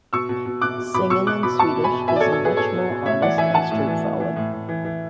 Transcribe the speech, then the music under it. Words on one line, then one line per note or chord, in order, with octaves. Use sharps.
Singing in Swedish is much more honest and straightforward.
B2 C#6 E6
B2
B2
B2 D6 F#6
B2
B2 B5 D6
B2 C#6 E6
B2 D6 F#6
B2 B5 D6
B2 A5 C#6
B2
G#5 B5
B2
B2 E5 G#5
D5
A4 C#5
B2
A4 C#5
B2 G#4 B4
B2 A4 C#5
B2
B2
A2 C#5 E5
E3 D5 F#5
E3 E5 G#5
E3 F#5 A5
A2
E3
A2
E3
A2
A2
E3
E3